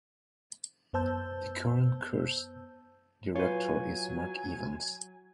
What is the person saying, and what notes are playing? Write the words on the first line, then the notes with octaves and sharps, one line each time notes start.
The current course director is Mark Evans.
F#2 B3 C5 A5 E6 G6
F#3 F4 B4 C#5 G#5